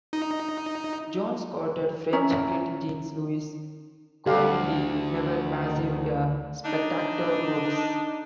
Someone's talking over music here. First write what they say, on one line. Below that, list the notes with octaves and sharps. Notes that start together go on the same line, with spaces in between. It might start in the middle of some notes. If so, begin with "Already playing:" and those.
Jones quoted French critic Jean-Louis Comolli: "Never passive, a spectator works".
D#4
C#4 C#5 E5 A#5
D2 G4 A4 F5
D4 D#4